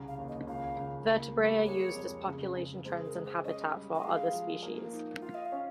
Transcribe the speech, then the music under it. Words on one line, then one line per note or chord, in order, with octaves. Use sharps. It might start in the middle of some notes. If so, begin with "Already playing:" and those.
Vertebrate are used as population trends and habitat for other species.
Already playing: C2 C#3
F5
D#2
D#5
C#2 F5
C#2
A#3
G3
G#3 C#5
F2
C#3
C#3
G#3 C5
A#4
G#3
C5
C#4 D#5
G3
D#5
G#3 F5
F3
A#3
D#4
F4 F5
D#5
F5
C#4